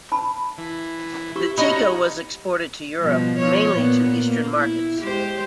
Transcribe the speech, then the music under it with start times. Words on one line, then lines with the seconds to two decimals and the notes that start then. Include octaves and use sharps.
The Tico was exported to Europe, mainly to eastern markets.
0.12 A5 B5
0.58 E3
1.36 E4 G4 C#6
1.58 C#4 D#4 F#4 A#5 B5
2.99 B2 F3 G3
3.39 F3 B3 C#5
3.72 A#2 B3
4.26 A#3
4.56 E4
5.00 G#3 G4 C5